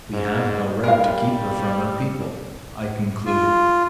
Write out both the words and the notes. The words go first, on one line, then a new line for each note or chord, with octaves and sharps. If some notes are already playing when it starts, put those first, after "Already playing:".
"We have no right to keep her from her people," I concluded.
G#2
G3 A#4 F5
F4